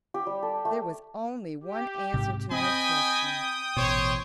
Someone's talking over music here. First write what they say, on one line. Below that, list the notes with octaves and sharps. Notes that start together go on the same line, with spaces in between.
There was only one answer to her question.
G4
G3
A4
A3
G4
G#2 C3
C4 D#5 G5 G#5 B5 D#6
A1 B2 C5 C#5